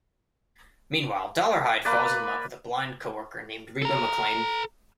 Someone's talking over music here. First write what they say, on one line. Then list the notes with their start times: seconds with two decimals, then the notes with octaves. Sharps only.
Meanwhile, Dolarhyde falls in love with a blind coworker named Reba McClane.
1.85 A#3 B4 D5
3.82 A4 A#5